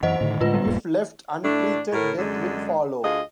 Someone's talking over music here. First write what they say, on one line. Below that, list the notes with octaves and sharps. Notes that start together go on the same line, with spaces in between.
If left untreated death will follow.
F#2 E3 C5 D#5 F#5
A2 D3 D#3
A2 D3 G#3 F4 B4
G3 B3
E1 G#2 A#3
A2 A3 D4
A2 A#4
F#2 D3 G#3
D2 F4 G#4 D#5